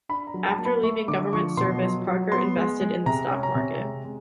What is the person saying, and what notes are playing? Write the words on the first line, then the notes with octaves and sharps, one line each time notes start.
After leaving government service, Parker invested in the stock market.
D4 B5
A#5
F#3
A5
A#3
B5
A3 C#6
D3 D6
F3 C#6
B2 C6
F#3
F#3
B3 C6
G#3
G#3
C3 A#5
C#4
A#5
C3
G#3
G#3